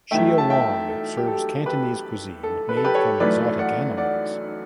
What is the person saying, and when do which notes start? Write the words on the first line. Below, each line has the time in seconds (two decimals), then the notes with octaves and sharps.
Shia Wong serves Cantonese cuisine made from exotic animals.
0.11 F#2 E3 A3 E5 G5
0.38 A5
0.50 E5 G5
0.88 A4
1.17 G4
1.28 A4
1.66 G4 B4
2.43 A4
2.69 B4
2.77 A4
2.84 G4 B4
2.95 A4 C#5
3.20 F#2 E3 A3 B4 D5
3.59 D5 F#5
3.97 D5 F#5